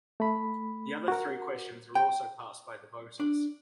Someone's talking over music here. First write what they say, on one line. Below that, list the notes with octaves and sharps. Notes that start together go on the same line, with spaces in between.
The other three questions were also passed by the voters.
A3 B5
F#4 A#4
G5
D4